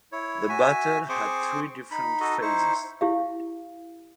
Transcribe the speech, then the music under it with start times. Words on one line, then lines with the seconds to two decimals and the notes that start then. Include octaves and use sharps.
The battle had three different phases.
0.12 E4 C#5
0.49 F#4 E5 G#5
1.09 C4 G#4 C5 C#6 D6
1.91 D#4 B5
2.21 D#4 F#4 A4 D#5
2.42 D#4 E4 C5 C#6
3.01 E4 G4 F5